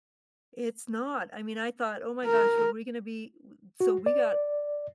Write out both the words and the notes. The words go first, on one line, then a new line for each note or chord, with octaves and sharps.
It's not. I mean, I thought, "Oh my gosh, but we gonna be w w" So, we got
A#4
F#4
D5